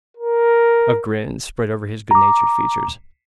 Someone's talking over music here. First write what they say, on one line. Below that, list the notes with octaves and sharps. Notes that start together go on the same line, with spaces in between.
A grin spread over his good-natured features.
A#4
A#5 D6